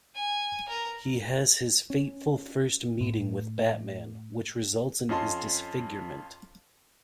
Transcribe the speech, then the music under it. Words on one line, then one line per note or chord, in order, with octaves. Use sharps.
He has his fateful first meeting with Batman, which results in his disfigurement.
G#5
A#4
C#4
A2
F2 C#4 F4 D#5 A5 C6